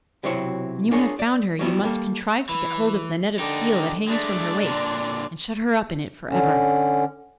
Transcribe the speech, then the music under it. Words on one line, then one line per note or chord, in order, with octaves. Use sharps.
When you have found her you must contrive to get hold of the net of steel that hangs from her waist, and shut her up in it for ever.'
B1 C3 F#3 C4 E4 C#5
D4 F4 G#4 A#4 C#5
D5
F#3 G3 B3 E4
G3 A#3 A4
E3
D3 D#4 G4
G#3 A3 D4 D5
A#2 D3
D3 C#4